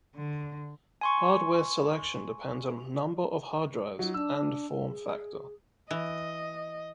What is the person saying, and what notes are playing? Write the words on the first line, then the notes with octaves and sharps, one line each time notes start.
Hardware selection depends on number of hard drives and form factor.
D3
G#5 C6 C#6
F#3 D#4 F4
D4 E6
G#4
E3 D#5